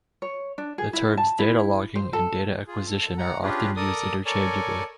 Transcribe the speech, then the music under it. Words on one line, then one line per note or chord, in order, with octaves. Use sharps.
The terms data logging and data acquisition are often used interchangeably.
C#5
D4
G#4
E4
A5
E4
C5
A4
F4 G#4
A4
F#5 A#5
C#4 D4 F4 G4 G#4 B4
A4 A#4 D5 D#6
A4 A#4 C#5 D5 G#5